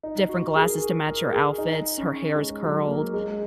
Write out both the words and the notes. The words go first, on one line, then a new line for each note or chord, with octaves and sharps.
different glasses to match her outfits, her hair is curled.
D#4
F#4
A#4
G#4
A#4
A#4
G#4
D#4
C#4
G#3
F#3
A#3
G#3